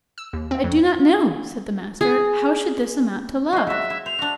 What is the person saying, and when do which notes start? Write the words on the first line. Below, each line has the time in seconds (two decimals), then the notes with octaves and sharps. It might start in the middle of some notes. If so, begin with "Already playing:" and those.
I do not know, said the Master: how should this amount to love?
0.18 E6
0.33 D#2
0.51 C4
0.64 F2
2.01 G#4
3.53 G#3 E4 C6
3.67 F#3 F#4 E5
3.90 E4
4.06 C5 F7
4.19 D4 F#4